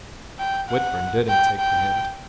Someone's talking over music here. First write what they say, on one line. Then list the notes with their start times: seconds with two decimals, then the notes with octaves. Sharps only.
Whitburn didn't take the hint.
0.39 G5
0.69 F#5
1.29 G5
1.59 G5